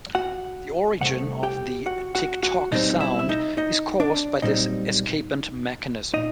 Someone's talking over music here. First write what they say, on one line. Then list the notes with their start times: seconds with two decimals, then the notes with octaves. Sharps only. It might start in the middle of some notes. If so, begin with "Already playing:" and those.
The origin of the "tick tock" sound is caused by this escapement mechanism.
0.15 F#4 F#5
1.01 C2 C3 A3 F#5
1.43 G4 G5
1.86 F#4 F#5
2.15 F#4 F#5
2.43 F#4 F#5
2.71 B1 B2 G3 C4 D#4 D#5
3.00 E4 E5
3.19 E5
3.29 D#4 D#5
3.57 D#4 D#5
4.00 D4 D5
4.42 B1 A#2 G3 C4 D#4 D#5
6.14 A#2 D#4 D#5